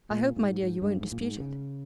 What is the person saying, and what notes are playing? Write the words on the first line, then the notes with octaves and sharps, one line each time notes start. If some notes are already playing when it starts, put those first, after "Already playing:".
I hope, my dear, you won't dispute it.
A#2
G#2
G#2
G2
G#2
A#2
G#2
C#3